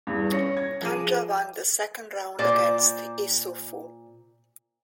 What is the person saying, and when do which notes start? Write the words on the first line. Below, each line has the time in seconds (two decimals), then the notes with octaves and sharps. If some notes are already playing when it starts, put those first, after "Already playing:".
Tandja won the second round against Issoufou.
0.07 E2 G2
0.31 C#4 A#6 C#7
0.57 G#6
0.82 F3 G#4 D6 D#7
2.39 A#2 C5 D5